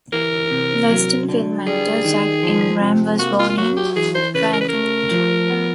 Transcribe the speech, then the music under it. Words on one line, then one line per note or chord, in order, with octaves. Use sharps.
Western film actor Jack Ingram was born in Frankfort.
E3 A#4
C3
F#3
D3
G3 G#4
D#3
F3
C3
A#3 F#4
F4
F4
F#3 F#4
G4
E3 G#4
C5
C#3 B4
A#4
B4
A3 A#4
F3
B3